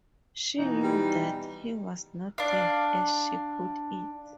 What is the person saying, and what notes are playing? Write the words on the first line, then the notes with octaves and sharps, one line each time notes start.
She knew that “he was not there,” as she put it.
B2 E3 D#4
G3
D4 F5